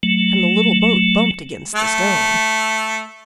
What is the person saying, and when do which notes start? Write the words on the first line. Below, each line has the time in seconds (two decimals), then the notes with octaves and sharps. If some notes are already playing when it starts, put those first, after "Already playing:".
And the little boat bumped against the stone.
0.03 F#3 A3
1.76 A3